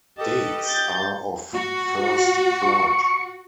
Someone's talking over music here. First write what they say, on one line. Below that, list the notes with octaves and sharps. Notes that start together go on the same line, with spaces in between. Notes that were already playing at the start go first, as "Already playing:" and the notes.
Dates are of first flight.
G4 A4 B4 D#5
G6 A6
F#4
C#6